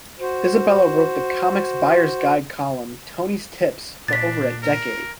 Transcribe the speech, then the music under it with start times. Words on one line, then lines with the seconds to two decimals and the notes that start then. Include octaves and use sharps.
Isabella wrote the "Comics Buyer's Guide" column "Tony's Tips" for over a decade.
0.20 F#4 C5
4.08 A#2 D4 A6 B6
4.62 A#4